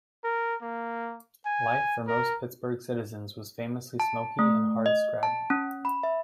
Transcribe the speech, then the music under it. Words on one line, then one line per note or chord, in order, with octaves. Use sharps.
Life for most Pittsburgh citizens was famously smokey and hardscrabble.
A#4
A#3
G#5
A#4
A5
A3
D#5
A5
C#4
B5
E5